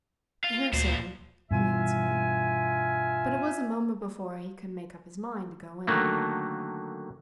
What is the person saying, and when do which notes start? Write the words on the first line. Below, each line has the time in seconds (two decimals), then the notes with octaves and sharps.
"Here, sir," he answered; but it was a moment before he could make up his mind to go in.
0.44 F4 F5
0.73 D2 A#2 C5
1.51 G2 B2 E3 F4 E5 G#5
5.87 D3 D#3 F#3 A3 A#3